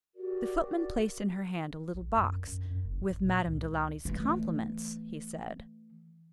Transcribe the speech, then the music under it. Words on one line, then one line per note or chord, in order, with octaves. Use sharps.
The footman placed in her hand a little box "with Madame du Launy's compliments," he said.
F#4 G4 A#4 D5
A#1
F#2
F#2
F#2
F#1
A1
A#2
C#2
E3 A3